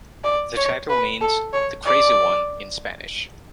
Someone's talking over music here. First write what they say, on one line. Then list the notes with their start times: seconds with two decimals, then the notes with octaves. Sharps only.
The title means "The Crazy One" in Spanish.
0.24 D5
0.57 C#5
0.89 B4
1.21 A4
1.53 C#5
1.85 D5